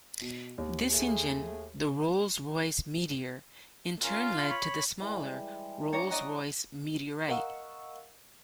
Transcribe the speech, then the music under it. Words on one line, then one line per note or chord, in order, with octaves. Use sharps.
This engine, the Rolls-Royce Meteor, in turn led to the smaller Rolls-Royce Meteorite.
B2
D#2
A3 G#4
C#4 F4 A#4
C#5 B5
E3 G3 G#3
D4 C#5 A#5
D5 D#5 F#5 A#5
A#4 D#5 F5 F#5 C#6 E6